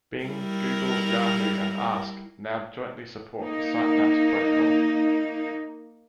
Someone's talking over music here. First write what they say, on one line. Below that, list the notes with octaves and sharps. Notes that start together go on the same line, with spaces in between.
Bing, Google, Yahoo and Ask now jointly support the Sitemaps protocol.
G3 E4 A#4
A#3 D#4